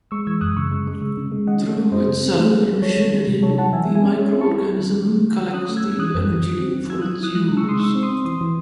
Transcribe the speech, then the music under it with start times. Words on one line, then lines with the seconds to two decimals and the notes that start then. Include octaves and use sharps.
Through its cellular machinery, the microorganism collects the energy for its use.
0.11 G#3 C#6 E6
0.27 E3 E6 G#6
0.41 F#2 D#6 F#6
0.57 C#3 C#6 E6
0.72 G#3
0.87 G#3
1.02 C#3
1.17 C#3
1.32 G#3
1.47 D#3 D#5 F#5
1.62 C#4
1.77 G#3
1.92 F#2 C5 D#5
2.08 C#3
2.23 C4
2.38 A3
2.52 F#3
2.68 F#3
2.82 G#3 A4 C#5
2.97 D#3
3.13 G#3
3.27 C3
3.42 F#3 A4 C#5
3.58 F#3 F#5 A5
3.73 E3 E5 G#5
3.88 E3
3.95 E5 G#5
4.03 C#4
4.18 G#3 C#5 E5
4.33 C4
4.41 A5 C#6
4.48 E4
4.63 C#4
4.79 D#3
4.93 D#3
5.09 A3
5.24 D#3
5.40 F#3
5.53 C#4 D#6 F#6
5.69 A3
5.76 E6 G#6
5.84 C#4
5.99 E3 D#6 F#6
6.15 F#2
6.30 E3
6.44 D#3
6.59 C4
6.74 D#3
6.89 F#3 E6 G#6
7.00 D#6 F#6
7.05 F#3
7.20 E4 D#6 F#6
7.35 G#3 D#6 F#6
7.50 C#3
7.57 C#6 E6
7.64 G#3 C6 D#6
7.79 D#4 C#6 E6
7.95 C4
8.03 C6 D#6
8.10 C4
8.25 E3 C6 D#6
8.41 E3